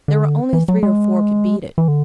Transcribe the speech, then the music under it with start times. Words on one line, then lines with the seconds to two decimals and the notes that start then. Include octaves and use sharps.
There were only three or four could beat it.
0.08 D3
0.53 E3
0.68 F#3
0.83 G#3
1.78 E3
1.88 D3